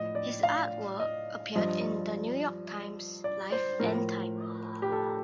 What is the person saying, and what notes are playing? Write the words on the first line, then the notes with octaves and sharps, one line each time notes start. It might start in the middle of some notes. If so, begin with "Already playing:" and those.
His artwork appeared in "The New York Times", "Life", and "Time".
Already playing: A2 F3 D#5
D5
F5
D#5
G2 F3 D#5
D5
C5
A2 F3 A#4
G4
A4